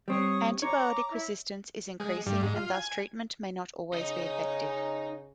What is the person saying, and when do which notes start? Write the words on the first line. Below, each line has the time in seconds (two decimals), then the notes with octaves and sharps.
Antibiotic resistance is increasing and thus treatment may not always be effective.
0.08 G3 C4 C#5 C#6 D#6
0.62 C#5 A#5 D6
1.11 E4
2.00 G#3
2.26 G2
2.42 G#2
2.55 F4
2.74 G#5
3.93 C#3 D#4 D#5